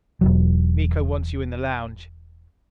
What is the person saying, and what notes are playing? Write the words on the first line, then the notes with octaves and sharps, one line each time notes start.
"Miko wants you in the lounge."
E1 C#2 F#3